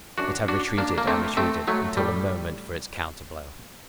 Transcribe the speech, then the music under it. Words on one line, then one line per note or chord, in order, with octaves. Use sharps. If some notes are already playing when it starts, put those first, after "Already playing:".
It had retreated and retreated, until the moment for its counter-blow.
F#2 D3 D4 F#4
D4 F#4
A#3 D4
A#3
A3 C4
A3 C4
F#3 A3
A2 G3